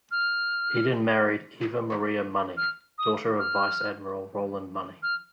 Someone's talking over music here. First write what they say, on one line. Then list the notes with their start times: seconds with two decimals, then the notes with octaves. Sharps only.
Eden married Eva Maria Money, daughter of Vice-Admiral Rowland Money.
0.11 F6
2.57 F6
2.98 D#6
3.39 F6
5.03 F6